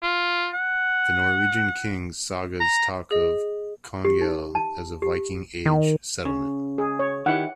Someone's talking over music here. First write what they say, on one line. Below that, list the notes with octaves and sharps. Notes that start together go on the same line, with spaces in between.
The Norwegian Kings' sagas talk of Konghelle as a Viking Age settlement.
F4
F#5
A#5
G#4 D#5
G4
D#4
A5
G4
D#3
C#3
G#4
C#5
D#3 E4 G4 F#5